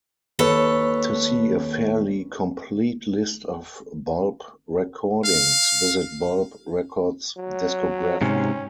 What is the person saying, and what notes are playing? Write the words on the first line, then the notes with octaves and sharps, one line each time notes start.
To see a fairly complete list of Bulb recordings, visit Bulb Records discography.
D#2 A4 B4 C#5
F5
F#3
G#2 C3 C#4